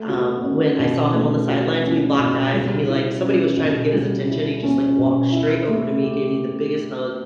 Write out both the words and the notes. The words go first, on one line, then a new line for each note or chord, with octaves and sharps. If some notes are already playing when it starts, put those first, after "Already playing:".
um, when I saw him on the sidelines, we locked eyes and he like somebody was trying to get his attention, and he just, like, walked straight over to me, gave me the biggest hug,
Already playing: A3
F#4
C#4
B2
A3
F#4
C#4
B2
G3
E4
C#4
B2
G3
E4
C#4
B2
E4
A3
G4